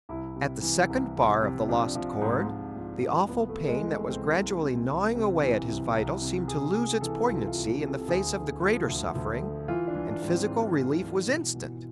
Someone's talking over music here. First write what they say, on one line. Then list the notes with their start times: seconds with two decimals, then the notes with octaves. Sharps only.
At the second bar of the 'Lost Chord' the awful pain that was gradually gnawing away at his vitals seemed to lose its poignancy in the face of the greater suffering, and physical relief was instant.
0.09 C2 E4
0.36 C3
0.62 E3
0.89 C2
1.16 C2
1.42 C3
1.69 F3 D4
1.95 F3
2.22 G#2
2.48 G#2
2.75 F3
3.02 F3
3.29 C2 B3
3.49 A3
3.55 C3
3.68 G#3
3.82 E3
3.88 A3
4.09 C2 C4
4.35 C2
4.61 C3
4.89 C2
5.15 C3
5.42 E3
5.68 C2
5.96 C2
6.21 C3
6.48 C2 G#4
6.75 C3 G#4
7.01 E3 A4
7.28 C2 F4
7.48 F4
7.55 C2
7.82 C3
7.88 A4
8.02 A4
8.08 D2 G#4
8.35 D3
8.61 F3
8.87 D2
9.15 D2
9.42 D3
9.68 E3 F4
9.88 D4
9.95 E3
10.08 D4
10.22 G#2
10.28 C4
10.49 G#2
10.75 E3
11.01 E3
11.28 B2
11.54 B2